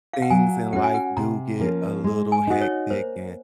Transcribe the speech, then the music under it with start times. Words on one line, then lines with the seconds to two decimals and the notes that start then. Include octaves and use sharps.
things in life do get a little hectic and
0.13 F5
0.22 F#5
0.30 F#3 G#5
0.73 C#4 F#4 F#5
0.84 G#5
0.94 F#5
1.17 C3 A#5
1.60 F3 A#3 C#4
2.04 G#3
2.32 G#5
2.47 D#4 F#4 D#5
2.61 C#5
2.90 A#3 C5